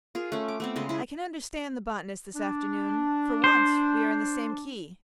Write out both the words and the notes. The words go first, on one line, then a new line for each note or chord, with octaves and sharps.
I can understand the botanist this afternoon; for once we are in the same key.
F4 G#4 A#4
A3 C#4
D6
A3 B3 C4
C#3 G#3 D#5 C6
E4 G#4
D4
C5